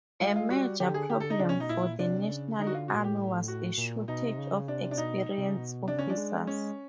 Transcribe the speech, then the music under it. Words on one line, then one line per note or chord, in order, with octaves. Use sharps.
A major problem for the National Army was a shortage of experienced officers.
G#3 F4
F4
G3 F#4
D3 G4
G#4
D3 G4
A4
D#4
C#3 D4
C#4
B2
D#4
A#2 E4
C3 D4
C#3
D3 D#4
F#4
F4
C#3 F#4
A2
A#2
A2 G4
F#4
A#2
B2 D#4
C3
C#3
C#3
C3 D4
D4
B2 D#4
C3
C#3
B2
C3 D4
C#3 C#4
F3 D4
G#3
C#4